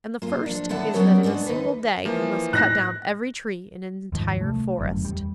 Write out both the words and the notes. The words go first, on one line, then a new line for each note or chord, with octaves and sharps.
And the first is that in a single day he must cut down every tree in an entire forest.
A#3 F4
F3 D4
D#2 D3 B3 E4 F#5 A5
F#3 B3 C#4 F#4 A#4 C#5
G#3 A#3 B3 D4 F#4
D#2 D#4 B4
E3 F3 A#3
A2 F#6 A#6
D#2 G#2 F3
C2 A3
G1 F#2 A2
E2 G3